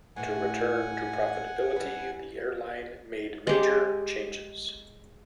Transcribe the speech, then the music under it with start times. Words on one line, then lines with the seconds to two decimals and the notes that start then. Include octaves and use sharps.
To return to profitability, the airline made major changes.
0.16 A2 E3 A3 F#5 G#5
1.76 G3 E4 B4
3.47 G#3 G4